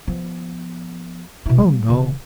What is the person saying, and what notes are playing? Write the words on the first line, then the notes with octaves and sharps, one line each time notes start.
"Oh no."
F3 B3
B2 E4
G3 A#3
C#3 E3